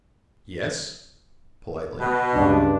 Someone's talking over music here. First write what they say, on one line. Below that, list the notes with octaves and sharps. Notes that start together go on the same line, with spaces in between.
"Yes?" politely.
B2
C#2 G2 C#3 G#3 D4